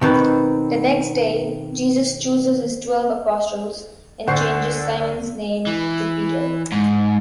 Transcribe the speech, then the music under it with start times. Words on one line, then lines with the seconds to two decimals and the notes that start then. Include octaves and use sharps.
The next day, Jesus chooses his twelve apostles and changes Simon's name to Peter.
0.01 B2 D#3 C4 B4
4.28 D2 D3 C5 F#5 C#6 C7
5.67 E3
6.72 G#2